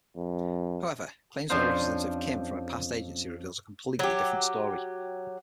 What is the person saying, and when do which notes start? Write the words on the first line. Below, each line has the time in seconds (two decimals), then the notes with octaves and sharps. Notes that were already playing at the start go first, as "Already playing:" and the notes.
However, claims by representative Kim from her past agency reveals a completely different story.
0.16 F2
1.49 F2 F3 C#4 D4 C5 F5
3.99 F#3 G4